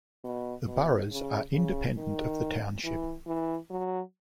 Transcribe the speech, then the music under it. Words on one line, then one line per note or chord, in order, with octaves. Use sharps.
The boroughs are independent of the township.
B2
B2
C#3
C#3
D#3
E3
E3
F#3